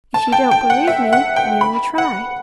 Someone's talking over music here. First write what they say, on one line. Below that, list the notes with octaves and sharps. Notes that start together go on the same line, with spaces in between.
If you don't believe me, we will try.
A5
G5
G5
F#5
E5
F#5
G5
B5
F#5